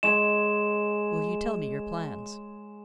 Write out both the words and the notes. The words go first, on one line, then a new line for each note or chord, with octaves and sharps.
"Will you tell me your plans?"
G#3 C#5 E7